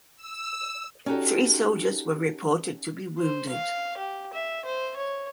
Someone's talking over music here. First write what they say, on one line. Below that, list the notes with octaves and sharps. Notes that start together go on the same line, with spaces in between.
Three soldiers were reported to be wounded.
E6
C#4 D#4 F#4 G4 A4
C5
F5
G4
E5
C5
C#5